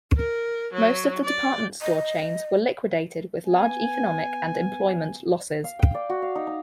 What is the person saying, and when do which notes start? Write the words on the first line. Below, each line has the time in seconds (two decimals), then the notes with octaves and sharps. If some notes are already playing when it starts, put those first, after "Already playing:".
Most of the department store chains were liquidated with large economic and employment losses.
0.17 A#4
0.74 F#3
1.25 D5
1.81 D#5
3.46 B3 G#5
5.64 F5
5.79 G5
5.94 D5
6.10 F#4
6.22 F5
6.35 D#4
6.47 D#4